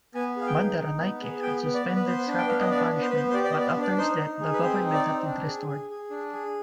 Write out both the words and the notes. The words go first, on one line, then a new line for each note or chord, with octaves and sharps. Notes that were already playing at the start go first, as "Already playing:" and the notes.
Bandaranaike had suspended capital punishment, but after his death the government had it restored.
B3 G#5
G#4 F5
G5
D#4
D#4
B3
G#4
B3 G5
B3
D5
B3
B4
B3 C5
D4
G5
B3 F5
D#5
D4 D5
B3
C5
B4
B3 C5
C5
G4 D5
D5
D#5
B3 D5
C5
D4 D5
D#4 C5
D#4
G#4
B4
C4 C5
D#4
D5
C4
D4
G#4
G#4
G#4
D4
G#4